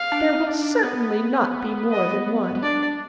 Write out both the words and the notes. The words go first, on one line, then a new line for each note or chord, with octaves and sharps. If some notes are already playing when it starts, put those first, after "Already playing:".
There will certainly not be more than one.'
Already playing: F5
D4
D#4
D4
B3
D#5
B3
D4 D5